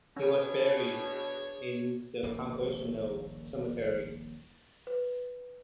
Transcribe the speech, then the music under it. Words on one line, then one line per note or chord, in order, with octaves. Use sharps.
He was buried in the Congressional Cemetery.
B2 C#4 D4 G#4 C#5
D#1 A#1 A2 A#3
B4